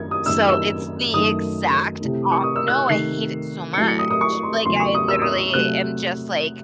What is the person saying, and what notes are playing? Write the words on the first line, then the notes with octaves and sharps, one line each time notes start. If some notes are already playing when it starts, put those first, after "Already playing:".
So it's the exact op no, I hate it so much, like, I literally am just, like
Already playing: F#2 D#3 F#3 A3 G#6
D#6
F#2 D#3 A3 E6
E6
F#2 D#3 F#3 A3 D#6
C3 E3 A3
C#6
D#6
E6
F#6
C3 D#3 A3 C7
C#7
A2 F#3 A3 C7
C#7
D#6
D#6
C#6
C6
E2 C#3 F#3 A3 C6
C#6
D#6
E6
D#6
C3 F#3 A3 F#6